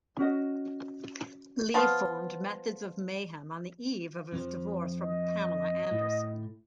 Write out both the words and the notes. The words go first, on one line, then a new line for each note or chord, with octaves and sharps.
Lee formed Methods of Mayhem on the eve of his divorce from Pamela Anderson.
C#4 F#4 D#5
F3 B3 F4
F2 F3
D#5
A2